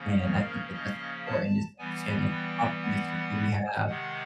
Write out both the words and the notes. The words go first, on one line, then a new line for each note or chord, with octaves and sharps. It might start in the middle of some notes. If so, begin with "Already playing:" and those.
and I think that that's important just to understand, like, the optimistic view we have
Already playing: C#3 F3 A#3 C#4
A#4
D#5
A5
E3 G3 B3 G#5
G5
F#5
C3 D#3 G#3 F#5